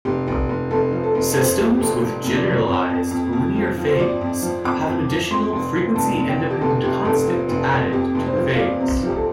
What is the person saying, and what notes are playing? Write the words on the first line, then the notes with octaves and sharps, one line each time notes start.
Systems with generalized linear phase have an additional frequency-independent constant added to the phase.
F1 G4
F1
F1
F1 A4
F3
A4
F1
A4
F2 C5
F3 G4
G4
F1 A4
F1
F1
D5
F3
F2
F2
F2
F2
F3
F3
C5
F3 D5
F2
F3
F2 D6
F2
F3
F2 C6
F1
F3
F1 A5
F1
G5
F2
G4
F1 A4
F1 G4
F1 A4
F3
F1
F2
F2 G4
F1
C5
F3
F5
F3 D5
C3
F3 G4
A4